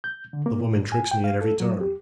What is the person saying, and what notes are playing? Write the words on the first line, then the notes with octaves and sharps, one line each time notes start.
The woman tricks me at every turn!
G6
D3
A#3
A#2
A2
G#5
G5
F5
A4
F#3
G4